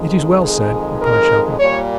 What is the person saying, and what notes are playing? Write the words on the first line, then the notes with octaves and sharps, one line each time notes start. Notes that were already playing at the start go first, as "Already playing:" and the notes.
"It is well said," replied Shelton.
Already playing: F2 D#3 G#3
G#4
A#4
A#2 G3 A#3 C#5